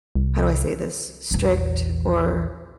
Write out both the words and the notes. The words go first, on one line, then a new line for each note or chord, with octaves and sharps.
how do I say this- strict or,
C2
A#1 E2